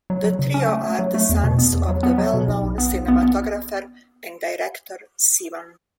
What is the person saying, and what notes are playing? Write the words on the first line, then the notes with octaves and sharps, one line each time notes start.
The trio are the sons of the well known cinematographer and director Sivan.
F#3
F#3
C#3
C#4
A3
A3
F#3
A3
E2
B2
B3
E2
F#3
B3
F#3
B2
B1
B1
B3
B1
B3
B3